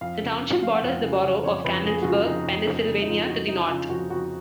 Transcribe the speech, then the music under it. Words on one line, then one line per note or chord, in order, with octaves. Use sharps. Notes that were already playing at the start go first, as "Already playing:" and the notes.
The township borders the borough of Canonsburg, Pennsylvania to the north.
F2 F5
C#3
C#3
F2 F5
F#5
F2 F5
C#3
C#3
F2 C#5
F2 B4
C#3 G#4
F#4
C#3 F4
F2 D#4
F2
C#3
C#3
D#4
F2 F4
F2 F#4
C#3 D#4
C#3 F4
F2 F#4
F2 F#4